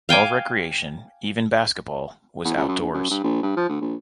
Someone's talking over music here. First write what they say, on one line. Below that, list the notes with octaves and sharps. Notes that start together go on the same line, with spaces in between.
All recreation, even basketball, was outdoors.
F5 G5 G#5 D6
E2
C#2
F#2
A#1
F#2
G2
A#1
G2
F3
D2
A#1